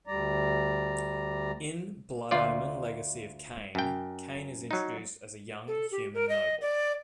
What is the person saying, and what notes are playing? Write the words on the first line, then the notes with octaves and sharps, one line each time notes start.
In "Blood Omen: Legacy of Kain", Kain is introduced as a young human noble.
D2 G3 D5 A#5
D2 F4 D5
F#2 G5
F#3 D#4
A4
G4
A#4
D#5
D5